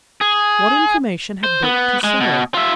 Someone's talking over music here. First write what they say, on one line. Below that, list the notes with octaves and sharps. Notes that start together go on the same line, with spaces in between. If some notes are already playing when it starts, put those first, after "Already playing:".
What information had Burke to sell?
G#4
C5
B3
G#3
B2
F4 E5